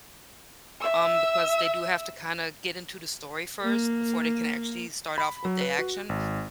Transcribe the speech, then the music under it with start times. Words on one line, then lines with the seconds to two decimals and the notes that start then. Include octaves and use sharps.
um, because they do have to kinda get into the story first before they can actually start off with the action,
0.81 E5 E6
3.62 A#3
5.18 B5
5.45 F#3
5.61 B4
5.79 F#4
6.09 G#1